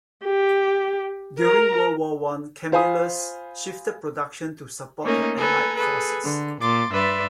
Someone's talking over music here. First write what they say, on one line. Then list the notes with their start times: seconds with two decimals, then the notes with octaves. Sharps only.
During World War One, Camillus shifted production to support the Allied forces.
0.24 G4
1.39 A#4 A#5
2.72 F4 C5 F5 G#5 B5 D#6
5.03 A3 A#3 C#4 D#4
5.37 A4 B4 G#5 A#5
5.75 G#4 A4 B4
6.24 D3
6.60 A#2 C6 D6 A6
6.91 G2 B4 D5 E5 C6 A6